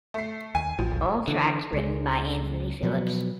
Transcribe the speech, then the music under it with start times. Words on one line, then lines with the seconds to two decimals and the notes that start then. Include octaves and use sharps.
All tracks written by Anthony Phillips.
0.14 A3 C7
0.55 D#2 G#5
0.79 A1 F3
0.92 E1 B1
1.28 D3 E3
1.73 C#2 G#3
2.83 B2 F3 F#3 B3